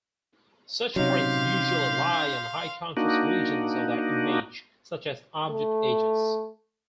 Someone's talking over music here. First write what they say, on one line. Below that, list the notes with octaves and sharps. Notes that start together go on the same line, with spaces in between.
Such points usually lie on high-contrast regions of the image, such as object edges.
C3 F#3 C#4 D#4 G4 C#5 F5 C6
A#3 D4 D#4 F#4
A3